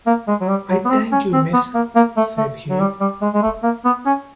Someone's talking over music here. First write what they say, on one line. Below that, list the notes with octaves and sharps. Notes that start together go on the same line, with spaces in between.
"I thank you, miss," said he.
A#3
G#3
F#3
G3
F#3
B3
C4
C#4
C4
B3
A#3
A#3
A3
A3
F#3
G3
G3
G#3
G#3
A3
A#3
B3
C#4